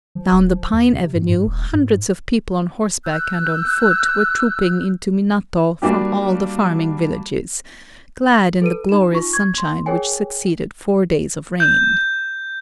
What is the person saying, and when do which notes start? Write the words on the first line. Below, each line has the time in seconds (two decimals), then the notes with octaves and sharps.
Down the pine avenue hundreds of people on horseback and on foot were trooping into Minato from all the farming villages, glad in the glorious sunshine which succeeded four days of rain.
0.15 F3
0.32 D1
0.52 F3
0.73 D#2
0.93 C3
1.14 G#2
1.29 G#2
1.47 D#1
1.73 G#2
3.04 E6 F#6 G6
5.82 G3 A#3 D4 F#4 G4
8.62 A4 B4 D#7
8.89 D#4 E7
9.11 D#4 F4 C#6
9.33 C#6 G#6
9.58 C6
9.86 G#4 A#4 C#5 G5 G#5
11.60 G6